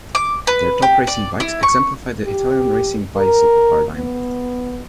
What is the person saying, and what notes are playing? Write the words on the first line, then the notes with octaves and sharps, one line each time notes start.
Their top racing bikes "exemplify the Italian racing bicycle paradigm".
D6
B4
G4
D5
E4
C#6
G4
A#4
B3